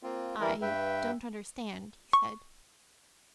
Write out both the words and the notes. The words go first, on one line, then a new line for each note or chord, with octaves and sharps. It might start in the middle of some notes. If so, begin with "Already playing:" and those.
"I don't understand," he said.
A#3 C4 F4
E3 G3 E4 A#4
G2 B4 E5 G5
C#6